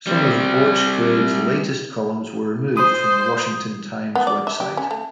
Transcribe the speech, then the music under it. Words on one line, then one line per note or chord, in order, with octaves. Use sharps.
Some of Borchgrave's latest columns were removed from the "Washington Times" website.
G3 C4
C5 D#6
B3
D5
E5
G4
C#4
A3